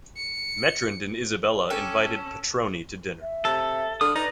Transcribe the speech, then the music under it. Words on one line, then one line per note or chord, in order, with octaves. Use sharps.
Metrand and Isabelle invite Patroni to dinner.
C#7
C#4 A4 G5 G#5 D6
E5
C3 A4
D3 D#6 F6
D#4 B4 D5 A#6